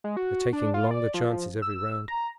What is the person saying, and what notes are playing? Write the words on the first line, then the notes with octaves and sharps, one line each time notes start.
They're taking longer chances every round.
G#3
F#4
D4
F4
D5
F3
E6
A#5